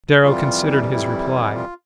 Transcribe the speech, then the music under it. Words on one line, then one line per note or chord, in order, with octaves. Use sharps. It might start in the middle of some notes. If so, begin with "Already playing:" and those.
Darrow considered his reply.
F2 C3 E3 G3 F4
E4
E4
F4